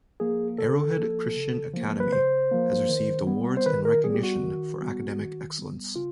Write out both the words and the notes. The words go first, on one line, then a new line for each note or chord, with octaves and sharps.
Arrowhead Christian Academy has received awards and recognition for academic excellence.
F3 A#3 G#4
C#3 A4
F3 A#3
C#3
F3 A#3
B4
C#3 C5
F3 A#3
D#3
G3 B3
C5
D#3 B4
A#4
G3 B3 G#4
G4
F#4
D#3
G3 B3
D#3
G3 B3
C#3 F4